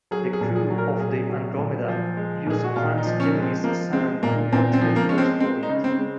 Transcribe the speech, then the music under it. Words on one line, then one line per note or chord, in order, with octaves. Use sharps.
The crew of the "Andromeda" used Trance Gemini's sun to ultimately destroy it.
F#3 G#4
G#4
A#2
G#4
F#3
A#4
A#2 G#4
F#3
A#2
F3
G#3
A#2 G#4
F#4
A#2 F4
D#4
F3
C#4
G#3
C4
F3 A#3
G#3 C4
A#2 A#3
A#2 C4
C4
F3
A#3
G#3 C#4
C4
G#3 C4
D#4
C#3
C4
G#3